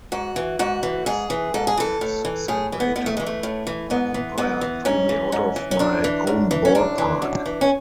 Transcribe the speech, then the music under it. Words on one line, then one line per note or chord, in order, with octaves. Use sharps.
As Lopez said later, The umpire threw me out of my own ballpark!
G#2 F#4
E3
G#2 F#4
E3
G#2 G#4
E3
G#2 A4
G#4
E3 A4
A2
E3
A2 G#4
E3
B3
A2 B3
A3
E3 G#3
A3
A2
E3
G#2 B3
E3
G#2 B3
E3
G#2 C#4
E3
G#2
E3
C#4
F#2 D4
E3
F#2
E3
C#4
F#2 D4
E3
F#2
E3
C#4